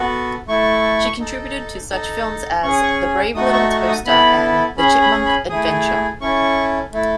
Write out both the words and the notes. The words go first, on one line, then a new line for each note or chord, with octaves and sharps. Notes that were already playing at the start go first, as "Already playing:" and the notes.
She contributed to such films as "The Brave Little Toaster" and "The Chipmunk Adventure".
Already playing: B3 F#4 A4
A3 E4 A4 C#6
D#4 A4
D#4 A4
C#4 G#4 C#6
D#6
C#6
A3 D#4 F#4 A4 D#6
C#6
C#6
D#6
B3 E4 A4 B5
C#4 G#4 B5
B5
B5
A3 E4 G#4 D#6
C#4 E4 A4 C#6
A3 E4 A4